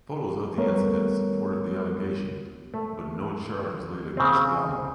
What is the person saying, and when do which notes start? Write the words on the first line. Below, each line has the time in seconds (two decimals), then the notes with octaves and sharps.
Photos of the incident supported the allegation, but no charge was laid against Gallen.
0.58 G3 A3 B3 A#4 C#5
2.74 A3
4.17 C#3 C4